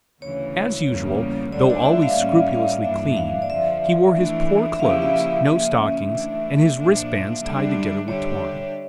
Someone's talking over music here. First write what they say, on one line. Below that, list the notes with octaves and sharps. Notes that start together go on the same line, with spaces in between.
As usual, though always scrupulously clean, he wore his poor clothes, no stockings, and his wristbands tied together with twine.
D2 C#3 E3 C#5
E2 C#3 G3 A#3
D2 D3 G3 D4 D5
D5
E5
F5
A2 G3 A#3 C#4 E5
F5
G2 E3 A#3 D4 E5
F5
D5
F2 D3 F3 E5
E3 A3 D4
E5
C#3 F3 A#3 E4 G4 F5
E5
E5
C#3 F3 A#3 C#4 E5
E3 A3 D4
A#2 F3 A#3 D4
D3 G3 D4
D3 G3 D4 G4 C#5